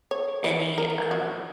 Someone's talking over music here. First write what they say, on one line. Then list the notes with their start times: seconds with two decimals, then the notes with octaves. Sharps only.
any, um,
0.11 C#5
0.44 B4
0.78 A#4
1.11 F#4